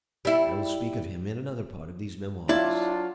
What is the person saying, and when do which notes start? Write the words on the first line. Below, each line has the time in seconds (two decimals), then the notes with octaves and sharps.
I will speak of him in another part of these Memoirs.
0.25 G3 E4
2.49 F#3 D4 E4 F4 D5